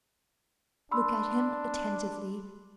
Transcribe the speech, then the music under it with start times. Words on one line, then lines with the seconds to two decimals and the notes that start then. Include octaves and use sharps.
Look at him attentively.
0.91 D4 B5 C6 E6